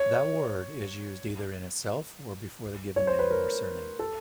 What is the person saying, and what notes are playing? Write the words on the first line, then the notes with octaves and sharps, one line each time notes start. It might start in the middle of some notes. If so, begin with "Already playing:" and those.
That word is used either in itself or before the given name or surname.
Already playing: C#5
C#5
C5
B4
A#4
A4